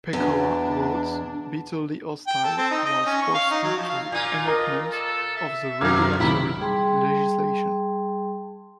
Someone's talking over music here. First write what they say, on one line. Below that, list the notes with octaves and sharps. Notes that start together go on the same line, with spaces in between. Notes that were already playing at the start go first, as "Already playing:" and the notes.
Pecora wrote: Bitterly hostile was Wall Street to the enactment of the regulatory legislation.
E2 B2 D4
G5
A4
C4
D#4
D#5
C#4
C#6
F5
D#4
F#3
F3
F5
A#2 F4 G#5
A#4 D#5
A4
E5
F#2 B2 A#3 F5 D6 G#6
A1 C3 D#3 E4 B5
G3 G#4 G5 A5 C6